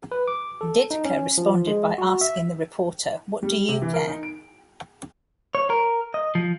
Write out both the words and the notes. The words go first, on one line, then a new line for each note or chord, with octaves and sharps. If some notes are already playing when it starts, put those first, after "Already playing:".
Ditka responded by asking the reporter, what do you care?
B4
D6
A4
D#4
C#4
F3
G#3
F#4
E5
G3
C3
E3
A#4
D#4
D7
C#5
A#4
D#5
F3